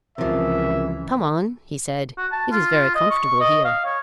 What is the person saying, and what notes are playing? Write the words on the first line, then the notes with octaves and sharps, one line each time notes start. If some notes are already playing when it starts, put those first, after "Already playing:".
"Come on," he said, "it is very comfortable here."
C#2 C3 E3 F3 A#4 E5
F#4
A5
F4
D#5
C#6
D#5
F5
C#5